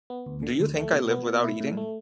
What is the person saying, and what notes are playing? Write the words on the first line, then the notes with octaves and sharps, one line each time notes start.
Do you think I live without eating?
B3
D2
D3
D2
A3
B2
B3
B2
E4
A2
A3